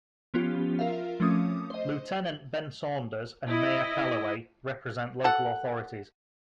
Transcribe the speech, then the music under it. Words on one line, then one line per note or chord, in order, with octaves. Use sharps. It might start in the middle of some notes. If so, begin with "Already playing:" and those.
Lieutenant Ben Saunders and mayor Calloway represent local authorities.
F3 B3 C#4 F4 G4
F4 A#4 E5 F5
F3 A3 C4 C#4 D6 D#6
C5 D#5
E4 D#5
A4 F#5